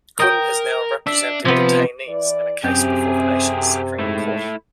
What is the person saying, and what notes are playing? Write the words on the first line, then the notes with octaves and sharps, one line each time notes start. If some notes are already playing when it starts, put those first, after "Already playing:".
Kun is now representing detainees in a case before the nation's Supreme Court.
A#4 D#5 G5
D4 E5
C3 F3 B3
E3 D5
F#2 C3 C4 G4 G#4 G6
G#2 A3 E4